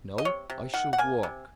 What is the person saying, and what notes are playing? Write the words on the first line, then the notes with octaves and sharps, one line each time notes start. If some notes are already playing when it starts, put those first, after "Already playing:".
"No; I shall walk."
D#5
C3 C#5
C3
D#3 F#5
F#5
A#3 G#5
C3